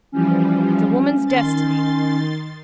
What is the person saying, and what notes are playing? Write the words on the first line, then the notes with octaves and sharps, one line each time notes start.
It's a woman's destiny.
E3 F3 G3 C#4
D#3 C6 A6